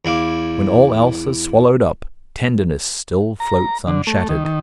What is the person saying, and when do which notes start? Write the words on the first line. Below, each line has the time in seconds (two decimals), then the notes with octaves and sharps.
When all else is swallowed up, tenderness still floats unshattered.
0.05 E2 E4 F5 D6
3.40 A#5
3.88 D3
4.07 A3
4.29 D#3
4.45 D#3